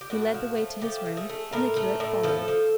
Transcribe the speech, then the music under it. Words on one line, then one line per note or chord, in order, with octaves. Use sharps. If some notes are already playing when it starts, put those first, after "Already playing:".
He led the way to his room, and the curate followed.
G4
A2 F#4
F3
A3
F3 G4
A3
G#4
A3
A2 A#4
A3
A2
F3 A4
F3